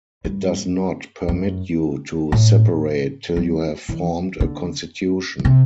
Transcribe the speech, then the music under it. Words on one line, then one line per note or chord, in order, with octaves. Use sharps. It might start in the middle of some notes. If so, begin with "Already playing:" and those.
It does not permit you to separate till you have formed a constitution.
G2
F#2
A2
F#3
E3
D3
C3